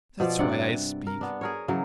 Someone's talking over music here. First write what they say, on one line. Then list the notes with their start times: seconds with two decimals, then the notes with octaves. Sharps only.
That's why I speak.
0.20 B2 F3 D5
0.39 G2 C3 D5 F#5
1.07 A#4
1.21 B3 D4
1.41 G#4 A#4 C#5
1.68 C#3 E3 F#3 A#4